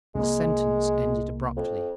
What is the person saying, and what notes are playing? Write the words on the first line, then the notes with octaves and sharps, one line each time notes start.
The sentence ended abruptly.
C2 F3 G#3 A#3
F2